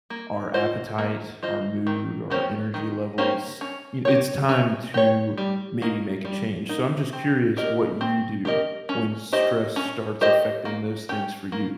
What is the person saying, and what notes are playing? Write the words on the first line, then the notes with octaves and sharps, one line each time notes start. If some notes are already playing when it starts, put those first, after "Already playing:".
our appetite, our mood, our energy levels, y it's time to maybe make a change. So, I'm just curious what you do when stress starts affecting those things for you?
A#3
F4 C5 D#5
A#3
F4 C5 D#5
D#3
A#3 C#4 G4 C5
D#3
A#3 C#4 G4 C5
C#4
G4 C#5
C#4
G4 C#5
G3
A#3 D#4
G3
A#3 D#4
C4
G4 A#4 D#5
C4
G4 A#4 D#5
C#4
G4 C5 D#5
C#4
G4 C5 D#5
A#3
C#4 G4
A#3